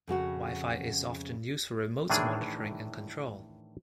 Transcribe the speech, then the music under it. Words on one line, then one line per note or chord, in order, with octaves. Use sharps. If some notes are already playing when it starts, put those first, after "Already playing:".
Wi-Fi is often used for remote monitoring and control.
F2 C#3 F#4 F#5
A2 D#3 E3 D4 G#4